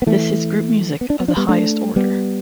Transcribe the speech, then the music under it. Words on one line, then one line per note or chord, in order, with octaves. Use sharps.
This is group music of the highest order.
B3
E3 A3
B3
D4
B3
D4
G3 B3
A3 D4
G3 B3